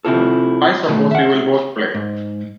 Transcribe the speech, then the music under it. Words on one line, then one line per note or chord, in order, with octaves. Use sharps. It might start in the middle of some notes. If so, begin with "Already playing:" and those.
I suppose you will both play.
C3 C4 E4 F4 A4
B2 D#3 A3
E5 F#5
G#2